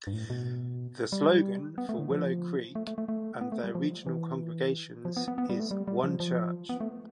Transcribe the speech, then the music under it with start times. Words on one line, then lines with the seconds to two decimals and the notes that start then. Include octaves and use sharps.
The slogan for Willow Creek and their regional congregations is One Church.
0.07 G2
0.13 A2
0.30 B2
1.12 G3
1.78 B3
1.89 A3
1.99 D3
2.10 F3
2.75 A3
2.87 A3
2.98 A3
3.08 A3
3.41 B3
3.52 A3
3.64 G3
3.75 F3
4.07 E3
5.05 F3
5.17 B3
5.28 B3
5.38 B3
5.49 G3
5.60 A3
5.71 G3
5.88 G3
6.04 F3
6.20 F3
6.69 B3
6.80 A3